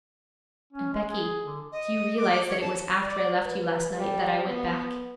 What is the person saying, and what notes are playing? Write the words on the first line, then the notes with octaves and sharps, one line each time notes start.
'And Becky, do you realize that it was after I left you last night that I went back?
C#4
G#3
G#4
D3
D#5
D6
C#5
A5
D5
B4
G3
B3